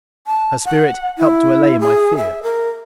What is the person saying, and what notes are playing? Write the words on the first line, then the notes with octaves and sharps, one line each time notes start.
Her spirit helped to allay my fear.
A5
F#5
E4
G#4
E5
A#4